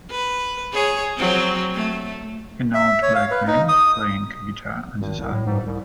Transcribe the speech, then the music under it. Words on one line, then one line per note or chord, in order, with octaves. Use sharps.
An old black man, playing a guitar on the sidewalk.
B4
G#4 C#5
F#3 C4
A3
E5
C#5
F5
B4
D#4
D#6
G#1
C2
A2
G#2
C2